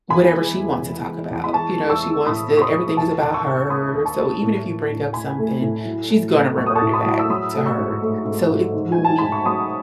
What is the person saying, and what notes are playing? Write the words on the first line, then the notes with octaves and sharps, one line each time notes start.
whatever she wants to talk about, you know, she wants to everything is about her, so even if you bring up something, she's gonna revert it back to her, so it's really
E2 G#5 B5
G#3
G#3
E2
G#3
E2
B5
G#3 A5 C#6
G#3
C#6 E6
G#3
A2 B5 D#6
A2
C#6
B5 D#6
G#3
D#2 A5 C#6
D#2
C#6 E6
D#2
G#3 B5 D#6
D#2
A5 C#6
G#3
A2
A2
A2
A2 G#5 B5
A3
A2
F#3
A3
A2
F#3 C#6
D#6
A5 C#6
A2
B5 D#6
F#3
E6
F#3 B5 D#6
A3
C#6 E6
G#2
A3
G#2
G#2
D#3
G#5
F#3
A5
G#2 B5
C#6
F#3 B5 D#6